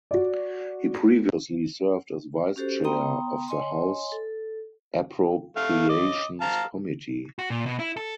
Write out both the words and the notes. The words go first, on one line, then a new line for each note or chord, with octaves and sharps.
He previously served as vice chair of the House Appropriations Committee.
F#4 D5
C#4 F#4 G4 A4 C5
B3 G5 A#5 C6 D#6
C#5 D#5 G#5 C6
A4
A3 F5
D#5 D6
F5 A5 A#5
F#4
A#2
B2
E4
A4